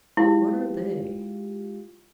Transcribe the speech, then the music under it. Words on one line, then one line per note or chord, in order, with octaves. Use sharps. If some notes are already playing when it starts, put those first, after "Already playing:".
"What are they?"
G#3 E4 F4 G4